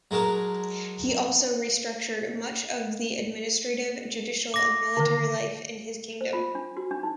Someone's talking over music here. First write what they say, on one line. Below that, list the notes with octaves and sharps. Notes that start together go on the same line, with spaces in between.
He also restructured much of the administrative, judicial and military life in his kingdom.
F#3 G#3 A#4 A5
D6 A#6
D3 D#3 A#4
C5
F4
D4
F#4
D4
D#4